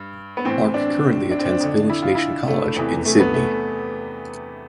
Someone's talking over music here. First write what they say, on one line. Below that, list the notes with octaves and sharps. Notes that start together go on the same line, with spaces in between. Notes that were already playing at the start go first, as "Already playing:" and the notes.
Clarke currently attends Village Nation College in Sydney.
Already playing: G2
B3
A2 E3 C4
D4
D4
C4
D4
F2 D3
E4
F4
E4
A3
E2 C3 E3
A3
B3
A3